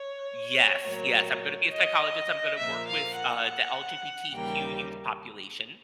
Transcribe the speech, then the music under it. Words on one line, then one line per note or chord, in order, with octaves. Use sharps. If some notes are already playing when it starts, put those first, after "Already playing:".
Yes, yes, I'm gonna be a psychologist. I'm gonna work with the LGBTQ youth population,
Already playing: C#5
A2 F#3 A#3
D#5
A#2 F3 A#3 E5
F5
F#5
D#2 C#3 E3 G3 A#3 G5